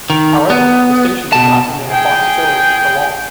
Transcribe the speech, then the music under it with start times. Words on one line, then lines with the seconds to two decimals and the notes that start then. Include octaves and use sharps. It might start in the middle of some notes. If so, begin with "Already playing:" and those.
However, the station did not remain a Fox affiliate for long.
0.10 D#3
0.50 B3
1.33 B2 A5
1.88 G#4 G5